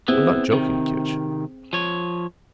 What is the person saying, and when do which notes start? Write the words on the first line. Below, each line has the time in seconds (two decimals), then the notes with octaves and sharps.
I'm not joking, Kinch.
0.08 B3 C4 E4 G#4
0.52 C3 D#3
1.73 F3 C#5